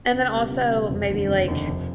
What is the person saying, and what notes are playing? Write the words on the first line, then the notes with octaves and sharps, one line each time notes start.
and then, also maybe, like,
C#2
B2 G3 B3
C#2
B2 G3 B3
F1
D#2 D3
F1
D#2 D3
F1